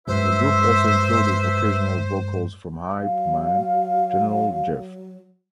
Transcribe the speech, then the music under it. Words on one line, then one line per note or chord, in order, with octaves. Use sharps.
The group also included occasional vocals from hype man General Jeff.
G2 F#3 G#3 B4 C5 E5
F#3 F5